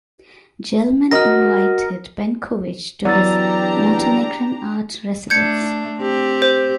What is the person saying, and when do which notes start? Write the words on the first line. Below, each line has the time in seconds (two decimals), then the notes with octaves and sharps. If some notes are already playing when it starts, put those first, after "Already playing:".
Gelman invited Benkovich to his Montenegrin art residence.
1.11 F#4 A#4 D#5 F6 A#6
3.05 E2 F#3 D4 G4 D5 A#5 E6 A6
5.30 A3 D4 G6 G#6 C#7
5.99 C4 G4
6.42 C5